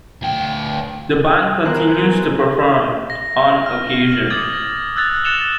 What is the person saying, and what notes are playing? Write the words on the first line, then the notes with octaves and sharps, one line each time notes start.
The band continues to perform, on occasion.
D2 G5
B3 A#4 C5 G#5 F#6
A#6
F6
D6 D#6 G#6 A6 F#7
A#6
E6 F#6 G#6 A6 F7
F#6 A6 C#7 E7 F7 G7